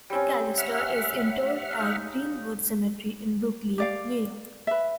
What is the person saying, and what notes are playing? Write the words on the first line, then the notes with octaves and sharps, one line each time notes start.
McAllister is interred at Green-Wood Cemetery in Brooklyn, New York.
G3 C4 C#4
E5 F#5 F6
D#4 F5
G4 D5 F5
B4 E5